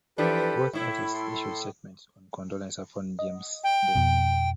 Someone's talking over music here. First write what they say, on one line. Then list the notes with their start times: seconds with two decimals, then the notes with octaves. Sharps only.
Both artists issued statements of condolence upon James's death.
0.18 E3 F3 D4 G4 A4 B4
0.73 A2 E4 E5
1.14 A4 C6
3.19 D#5
3.64 G5
3.95 F2 B2